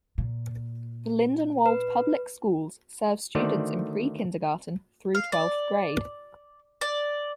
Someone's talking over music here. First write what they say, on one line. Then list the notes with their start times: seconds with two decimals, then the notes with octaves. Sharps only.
The Lindenwold Public Schools serve students in pre-kindergarten through twelfth grade.
0.18 A#2
1.66 B4
3.35 D3 D#3 A3 F#4 C5 D5
5.15 F5
5.32 D5
6.81 D5